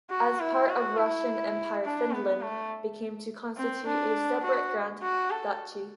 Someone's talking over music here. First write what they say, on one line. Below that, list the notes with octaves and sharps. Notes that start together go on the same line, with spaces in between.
As part of Russian Empire Finland became to constitute a separate grand duchy.
F#4
E4
F#4
E4
D4
B3
A3
C4
D4
F#4
F#4
A4